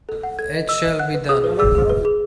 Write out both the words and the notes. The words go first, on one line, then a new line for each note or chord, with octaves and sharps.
It shall be done!
A4
F#5
A4 G#6
D#5
D#5 E6
D#5
F#5 F#6
B4
G#4 D#6
B4
G#4 E6
G#4
B4
G#4